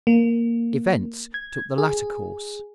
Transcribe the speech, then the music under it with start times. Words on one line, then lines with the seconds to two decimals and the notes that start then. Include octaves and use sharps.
Events took the latter course.
0.07 A#3
1.34 G#6
1.78 G#4